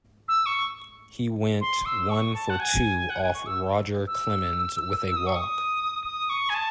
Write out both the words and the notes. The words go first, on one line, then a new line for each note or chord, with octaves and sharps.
He went one-for-two off Roger Clemens with a walk.
E6
C#6
C6
E6
C#6
A5
F#5
G#5
F#5
G#5
C#6
E6
E6
E6
D#6
C#6
D#6
D#6
C#6
G#5
A5